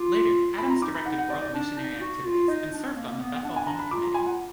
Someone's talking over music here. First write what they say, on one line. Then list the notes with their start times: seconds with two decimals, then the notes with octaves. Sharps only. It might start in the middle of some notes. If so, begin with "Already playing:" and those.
Later, Adams directed world missionary activities, and served on the "Bethel Home Committee".
Already playing: F4 D6
0.58 F4 B5
0.70 A#5
0.82 D#4 D6
0.94 B5
1.06 D#4 F#5
1.18 F#5
1.30 D5
1.41 D5
1.54 D4
1.77 D#4
2.00 F#4
2.25 F4
2.48 D#4 D#5
2.72 D4
2.96 A#3
3.20 B3
3.43 D4 F#5
3.56 G#5
3.67 D4 A#5
3.79 B5
3.91 F4 D6
4.04 A#5
4.14 G#5
4.26 F#5